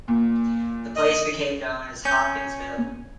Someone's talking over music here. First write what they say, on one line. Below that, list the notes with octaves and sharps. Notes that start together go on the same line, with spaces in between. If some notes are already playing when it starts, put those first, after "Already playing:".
The place became known as "Hopkins Mill".
A#2
D#5
C#4 G6